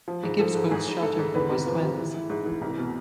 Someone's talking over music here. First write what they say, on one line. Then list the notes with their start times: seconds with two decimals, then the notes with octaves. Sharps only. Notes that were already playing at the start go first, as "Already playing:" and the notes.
It gives boats shelter from west winds.
0.08 F3
0.23 G#2
0.39 F3 A4
0.55 G#2
0.71 G#2 G#4
0.87 G#2
1.02 G#2 A4
1.19 G#2
1.34 E2 B4
1.50 C3
1.66 F3 B4
1.83 C3
1.99 E3
2.14 E3
2.30 G#2
2.46 E3
2.61 C2
2.78 B2